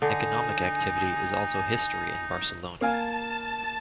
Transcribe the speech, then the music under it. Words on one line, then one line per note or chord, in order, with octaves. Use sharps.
Economic activity is also history in Barcelona.
D3 D#4 G#5
A#3 F5 G#5 A5